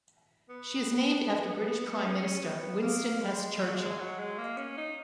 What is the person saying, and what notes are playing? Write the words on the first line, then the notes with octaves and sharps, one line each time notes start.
She is named after British Prime Minister Winston S. Churchill.
B3
C#4
B3
A#3
G#3
F#3
A#3
G#3
F#3
G#3
A#3
C#4
D#4